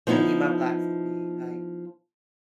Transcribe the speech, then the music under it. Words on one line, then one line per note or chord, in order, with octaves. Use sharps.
I need my blocks to be, like
F3 B3 D#4 E4